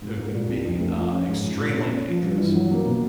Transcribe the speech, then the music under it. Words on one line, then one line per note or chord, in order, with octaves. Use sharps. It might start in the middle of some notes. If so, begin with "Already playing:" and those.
who can be, uh, extremely dangerous,
G#2
G#2
A#2
C2
F2
A3
F3
C#4
G#2
G#2
A#2
A#2
C#4
F3
G2
E3
F#3
A#3
B2